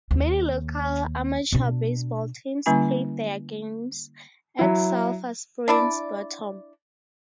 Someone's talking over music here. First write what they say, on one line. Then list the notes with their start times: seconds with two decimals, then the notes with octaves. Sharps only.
Many local amateur baseball teams played their games at Sulphur Springs Bottom.
0.11 D#2
1.52 B2 D4
2.66 D3 G3 A#3 C#4 E4 G#5
4.59 F#3 E4
5.68 D4 E4 D5